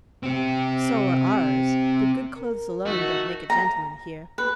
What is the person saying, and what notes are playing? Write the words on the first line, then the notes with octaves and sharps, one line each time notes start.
'So are ours; but good clothes alone don't make a gentleman here.
C4 G4
A#4
D#3 A3 F#4
A#5
B4